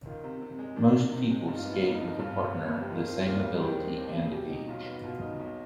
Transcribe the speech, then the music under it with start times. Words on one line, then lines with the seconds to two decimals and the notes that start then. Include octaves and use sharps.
Most people skate with a partner the same ability and age.
0.05 D#3 F4
0.24 C3
0.42 C3
0.59 G#3
0.76 D#3 D4
0.94 C3
1.12 C3 C4
1.30 G#3
1.47 G2 D#4
1.55 F4
1.62 D#4
1.65 B3
1.70 F4
1.78 D#4
1.83 G1 F4
1.92 D#4
2.00 F3 F4
2.08 D#4
2.18 G2 F4
2.37 B3
2.55 G1
2.72 F3
2.80 G4
2.90 D#3 F4
3.08 C4
3.21 G4
3.26 D#2 F4
3.43 G3
3.54 G#4
3.61 D#3 G4
3.80 C4
3.97 D#2
4.15 G3
4.26 G#4
4.32 B2 G4
4.50 D#4
4.68 B1 F4
4.86 B3
5.03 B2 F4
5.21 D#4
5.39 B1